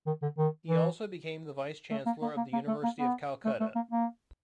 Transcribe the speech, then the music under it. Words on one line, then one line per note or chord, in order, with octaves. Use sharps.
He also became the Vice Chancellor of the University of Calcutta.
D#3
D3
D#3
E3
A3
A#3
A#3
A#3
A#3
A3
A#3
B3
A3
A3
A#3
A#3